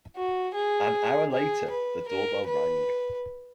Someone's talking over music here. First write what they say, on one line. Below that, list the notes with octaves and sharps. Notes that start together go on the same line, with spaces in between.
An hour later, the doorbell rang.
F#4
G#4
G#4
B4
A#4
B4